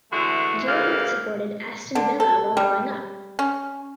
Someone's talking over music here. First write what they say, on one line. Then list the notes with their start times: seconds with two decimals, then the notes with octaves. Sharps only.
Gilbert supported Aston Villa while growing up.
0.12 D3 E3 G#3 A3 F#4
0.67 D2 C#3 E3 A#3 F5
1.95 D3
2.20 A4
2.57 G3
3.39 C#4